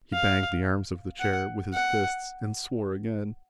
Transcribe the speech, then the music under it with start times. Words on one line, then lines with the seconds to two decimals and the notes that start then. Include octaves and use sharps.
He banged the arms of the chair with his fist, and swore again.
0.13 F5
1.20 F#5
1.74 F#5